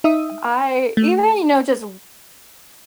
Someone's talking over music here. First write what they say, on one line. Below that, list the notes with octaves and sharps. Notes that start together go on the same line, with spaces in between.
I, even, you know just
D#4 E5 D#6
A3